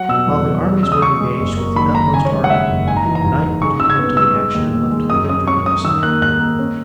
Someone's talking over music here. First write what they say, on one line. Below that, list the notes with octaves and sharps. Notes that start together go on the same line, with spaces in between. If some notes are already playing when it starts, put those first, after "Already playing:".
While the armies were engaged with the utmost ardor, night put an end to the action and left the victory undecided.
Already playing: F#3 F#5
B2 E6
E2
E2
G#3
C#3 E6
D#6
G#3 C#6
G#3
F#1
A#3
D#3 B5
D#3 A#5
C#3 G#5
C#5
G#3
F#5
G#3 E5
F#1
G#2 G#5
A#5
E3
A#5
G#2
G#2
G#3 C#6
C#3 E6
G#6
B3
G#3 E6
G#3
D#2
D#2
G#3
F#2 D#6
C#4 D#6
C#4 C#6
C#4 D#6
D#3 E6
A#3 F#6
G#2 F#6
A#3
C#4